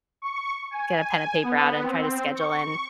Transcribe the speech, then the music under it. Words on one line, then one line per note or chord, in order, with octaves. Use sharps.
get a pen and paper out and try to schedule in
C#6
G#5
B3
C4
C#6